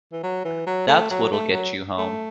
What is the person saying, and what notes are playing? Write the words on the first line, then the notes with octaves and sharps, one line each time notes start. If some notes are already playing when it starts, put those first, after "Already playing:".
That's what'll get you home.
E3
F#3
E3
F#3
A3
F#3
A3
F#3
A3